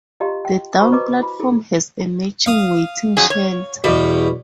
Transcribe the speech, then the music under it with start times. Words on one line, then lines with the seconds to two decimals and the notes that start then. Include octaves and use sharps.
The down platform has a matching waiting shelter.
0.20 F4 G4 D#5 F5 A#5 C6
0.45 G5
0.79 F#4 C5 A#5 B5 C#6
0.92 B4 D#5 A#5 D6
1.19 E4 B5
1.40 E4 G#4 A4
2.46 F5 D#6
3.17 F2 F#3 G#4
3.30 C#5
3.84 E2 B2 G3